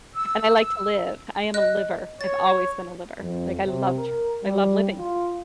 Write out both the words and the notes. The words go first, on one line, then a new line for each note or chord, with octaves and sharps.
And I like to live. I am a liver, I've always been a liver. Like, I loved I love living.
E6
D#5 F#6
C#5 A6
F2
C3
A#4
G3
F4